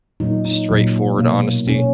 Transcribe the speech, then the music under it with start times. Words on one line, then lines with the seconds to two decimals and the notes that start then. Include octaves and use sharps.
straightforward honesty
0.20 A#2 F#3 A#3 D#4
0.45 D#4
0.69 A#2 F#3 A#3
1.18 B2 A#3
1.67 B2 A#3 C#4